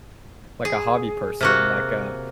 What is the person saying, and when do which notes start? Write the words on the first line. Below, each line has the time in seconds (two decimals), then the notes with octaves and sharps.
like, a hobby person, like, uh,
0.65 G#4
1.41 C3 A#3 F#4